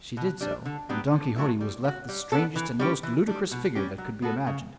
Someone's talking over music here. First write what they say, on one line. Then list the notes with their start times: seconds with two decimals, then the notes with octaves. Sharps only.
She did so, and Don Quixote was left the strangest and most ludicrous figure that could be imagined.
0.17 B2
0.41 G3 D4
0.65 D3
0.89 F#3 B3 D4 G4
1.13 D3
1.36 F#3 A3 E4
1.61 G3
1.84 B3
1.88 F#4
2.09 G3
2.32 B3 D4 A4
2.56 E3
2.79 G3 C#4 G4
3.03 E3
3.28 G3 D4
3.51 B2
3.75 G3 C#4 G4
3.98 F#3
4.22 B3 F#4 A4
4.47 C#3